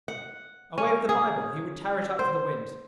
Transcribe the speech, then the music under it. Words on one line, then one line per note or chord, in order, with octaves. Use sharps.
Away with the Bible: he would tear it up for the winds!
F#5
C#4
G#4
C5